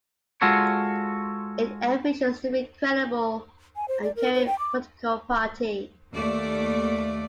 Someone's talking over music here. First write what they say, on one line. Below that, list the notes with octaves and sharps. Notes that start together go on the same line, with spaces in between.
It envisions to be a credible and caring political party.
G#3 F4 F#4 A4 C#5
G#5
C5
D5
A#4
C5
G5
D6
D#2 A3 D5